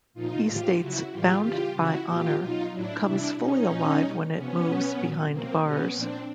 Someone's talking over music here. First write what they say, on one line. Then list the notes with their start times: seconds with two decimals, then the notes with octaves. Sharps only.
He states "Bound By Honor" comes fully alive when it moves behind bars.
0.14 A#2 F3 D#4 F4
0.46 A2 F3 F4 G4
0.78 C#3 F#3 E4 F#4
1.10 A2 E3 G3 F4 G4
1.42 C#3 E3 G3 F4 G4
1.74 C#3 F3 E4 F#4
2.06 A#2 F3 F4 G4
2.39 B2 F#3 D#4 F4
2.71 A2 F#3 D4 E4
3.03 C3 E3 G3 D4 E4
3.36 B2 G3 C#4 D#4
3.68 A#2 F#3
4.00 B2 G3
4.32 C3 F3 B3 C#4
4.64 B2 F#3
4.96 A#2 F#3
5.29 B2 F#3 A#3 C4
5.61 B2 G3 B3 C#4
5.92 A#2 F3 C4 D4